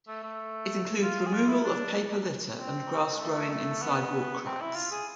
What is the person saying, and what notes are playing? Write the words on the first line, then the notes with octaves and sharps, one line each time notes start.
It includes removal of paper litter and grass growing in sidewalk cracks.
A3
A3
F4
G#4
F4
E4
D4
C4
G#3
A3
A3
B3
C4
E4
F4
G#4